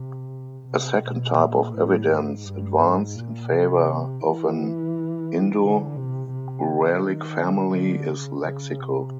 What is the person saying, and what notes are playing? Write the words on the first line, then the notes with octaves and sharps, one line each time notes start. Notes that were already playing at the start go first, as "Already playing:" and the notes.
A second type of evidence advanced in favor of an Indo-Uralic family is lexical.
Already playing: C3
C3
B2
A#2
A2
G#2
G2
G#2
A#2
C3
E3
D3
C3
C3
C#3
D#3
D3
D3
C#3
C#3
C3